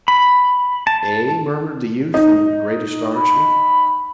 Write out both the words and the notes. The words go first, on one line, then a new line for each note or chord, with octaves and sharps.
"Eh?" murmured the youth in great astonishment.
B5
A5
D#4
B5